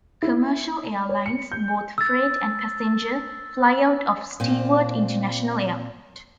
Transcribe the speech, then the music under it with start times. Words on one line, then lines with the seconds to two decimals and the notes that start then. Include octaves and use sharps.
Commercial airlines, both freight and passenger, fly out of Stewart International Airport.
0.23 E4
1.09 C#5
1.26 C#7
1.52 G6
1.98 E6 A6
4.40 A#2 C4